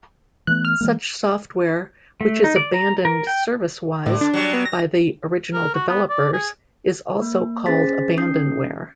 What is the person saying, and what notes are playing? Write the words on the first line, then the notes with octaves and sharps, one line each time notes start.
Such software which is abandoned service-wise by the original developers is also called abandonware.
E3 A3 B3 F#6
F6
E3 G#3 A#3
A3
D#4
D5
A#5
A#4
G5
A2 D3
D4
F#3 G3
B3
A#6
A#4
F#4
B3
D5
G#4
A#3
C#4 G#4 C5 A6 B6
C#4 D#4 D#6 G6 C7